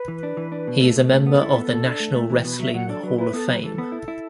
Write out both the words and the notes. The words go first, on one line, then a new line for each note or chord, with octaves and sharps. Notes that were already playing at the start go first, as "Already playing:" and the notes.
He is a member of the National Wrestling Hall of Fame.
Already playing: B4
E3
D4
E3
D4
B2
A3
B2
A3
B3 A4
E4
B3
B2
D4
A3
A3
E3
B2 B4
F#3 E5
F#3 F#5
D4 A4
F#3 B4
E4 B4
B3 A4
F#3 B4
E3 A4
B3
E4
E4